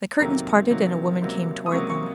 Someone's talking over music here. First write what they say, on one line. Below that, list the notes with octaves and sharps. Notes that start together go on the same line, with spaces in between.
The curtains parted and a woman came toward them.
F2 C3 D#3 F#3 A#3 A#5
F2 C3 D#3 F#3 A#3
C#2 C3 F#3 A#3
D#6
C#2 C3 F#3 A#3 C#6
C#6